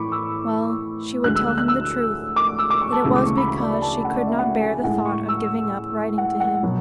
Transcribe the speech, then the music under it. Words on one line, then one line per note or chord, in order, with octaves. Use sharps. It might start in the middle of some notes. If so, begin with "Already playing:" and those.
Well, she would tell him the truth--that it was because she could not bear the thought of giving up writing to him.
Already playing: A2 E3 B5 C#6 D6
E6
D2 D3 G#3 F#6
E6
E6
F#6
E6
D6
E6
D6
C#6
A5
D2 C#3 E3 G#3 E6
D6
C#6
B5
B5
D5
D5
A5
F#5
D5
E5
F#5
G#5
A2 G#3 F#5
C#6
E6
F#5
F#5
B2 F#3